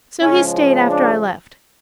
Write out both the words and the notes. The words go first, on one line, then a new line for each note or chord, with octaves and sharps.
So he stayed after I left.
C#3 F3 G#3 C#4
D4